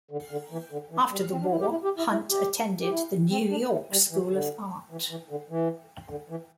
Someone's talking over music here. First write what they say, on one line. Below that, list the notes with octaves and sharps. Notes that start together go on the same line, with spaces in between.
After the war, Hunt attended the New York School of Art.
D3
D3
E3
D3
E3
G3
C4
D4
E4
G4
E4
G4
E4
E4
G4
G4
E4
C4
D4
A3
G3
E3
D3
E3
E3
D3
E3
D3
E3